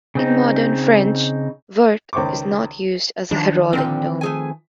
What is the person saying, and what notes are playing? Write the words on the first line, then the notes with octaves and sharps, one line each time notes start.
In Modern French, "vert" is not used as a heraldic term.
C#3 C4 D#4
C#2 D#3 C5 C#6 D6
D#3 F3 D4
A#2 D3 C4 G5
A3 G#4 G#5